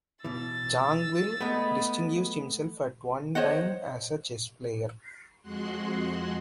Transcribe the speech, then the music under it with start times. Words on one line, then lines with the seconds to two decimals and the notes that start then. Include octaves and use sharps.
Zangwill distinguished himself at one time as a chess player.
0.25 B2 E3 E6 A6
1.41 G#3 A3 B3
3.35 C5 C#5 D#5 F#5
5.43 F2 G#3 F#4 C6 F#6